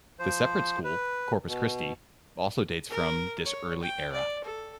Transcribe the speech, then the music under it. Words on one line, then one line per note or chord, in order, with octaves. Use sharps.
The separate school, Corpus Christi, also dates from this early era.
F3 C5
B4
B2
A#4
C#5
G5
D5
A4